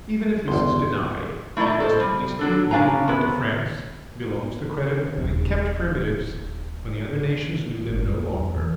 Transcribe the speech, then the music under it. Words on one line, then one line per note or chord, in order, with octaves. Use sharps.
Even if this is denied it must at least be admitted that to France belongs the credit of having kept primitives when the other nations knew them no longer.
G1 E2 C6
A3 E4 D5 D#5 A#5
A4 A#4 C5
G3
F#3 D4 A4
C#3 C#4 D4 F5 G#5 A#5
C3 B3
D#1 D#4
G1
F2
E2
E3